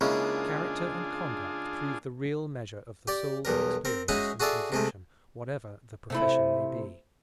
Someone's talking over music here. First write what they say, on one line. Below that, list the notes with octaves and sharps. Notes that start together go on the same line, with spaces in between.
Character and conduct prove the real measure of the soul's experience and conviction, whatever the profession may be.
C#3 G#3 A#3 C#4 D4 E4 F4 G#4
G4 D5
B1 E2 G3 A#4
C4 A#4
G#3 C#4 D#4 E4 F#4 G#4
F#4 G#4 A4 D5 E5 F5
C3 G#3 A3
C3 A3 E4